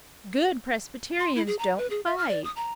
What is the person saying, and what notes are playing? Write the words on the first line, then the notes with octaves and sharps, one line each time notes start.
"Good Presbyterians don't fight."
C6
E4
G#4
A#5
B4
G#4
E5
F6
D5
D#6
A#5